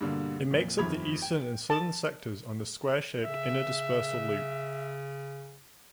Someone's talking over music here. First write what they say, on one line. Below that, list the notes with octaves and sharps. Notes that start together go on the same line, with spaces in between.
It makes up the eastern and southern sections on the square-shaped Inner Dispersal Loop.
G2 B2 D3 G3 A#3
F2 A#2
G1 F2 D#3 B5 G#6 F7
G5
A5
C#3 E5